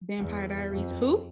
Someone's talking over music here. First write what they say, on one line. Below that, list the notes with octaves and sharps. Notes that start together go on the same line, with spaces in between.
Vampire Diaries Who?
E2
F2